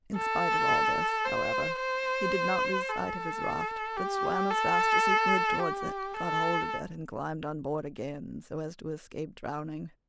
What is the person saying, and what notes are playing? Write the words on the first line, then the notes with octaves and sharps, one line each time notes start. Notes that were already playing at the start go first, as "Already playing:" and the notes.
In spite of all this, however, he did not lose sight of his raft, but swam as fast as he could towards it, got hold of it, and climbed on board again so as to escape drowning.
A4
C5
C5
A4
G4
A4
G4
A4